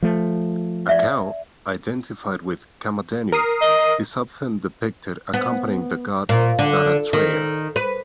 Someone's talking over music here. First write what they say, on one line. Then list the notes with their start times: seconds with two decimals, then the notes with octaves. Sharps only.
A cow, identified with Kamadhenu, is often depicted accompanying the god Dattatreya.
0.02 F3 A3
0.89 D5 E5
3.32 A#4 D#6 C7
3.61 D#5
5.34 B3
6.29 A#2
6.59 D3
7.13 D#3
7.76 B4